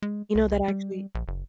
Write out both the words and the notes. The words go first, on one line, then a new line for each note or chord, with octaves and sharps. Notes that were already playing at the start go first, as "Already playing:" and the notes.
you know, that actually
G#3
C2
C2
G3
A#1
F#1